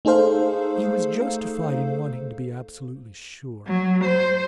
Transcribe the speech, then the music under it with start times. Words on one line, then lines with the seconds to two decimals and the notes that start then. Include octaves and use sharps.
He was justified in wanting to be absolutely sure.
0.05 A3 D#4 G#4 A4 C5 F5
3.67 F#3
4.05 C5